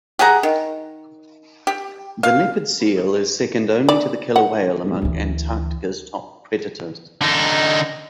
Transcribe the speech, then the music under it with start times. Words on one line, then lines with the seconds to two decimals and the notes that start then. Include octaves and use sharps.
The leopard seal is second only to the killer whale among Antarctica's top predators.
0.19 G4 G#4 F#5 A#5
0.43 D#3
1.67 G4
2.23 F5
3.89 D5
4.36 F#5
5.02 D2 E3
7.21 D3 D#4